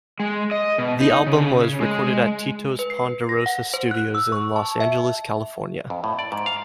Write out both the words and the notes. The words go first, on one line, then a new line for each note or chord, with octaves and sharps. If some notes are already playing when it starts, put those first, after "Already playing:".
The album was recorded at Tito's Ponderosa Studios in Los Angeles, California.
G#3
D#5
B2
D#4
C#3
G#3
B4
C7
A#6
F#5
C5
F#6
E6
C#6
A5
E5
F2
A2
D5
G#2
F5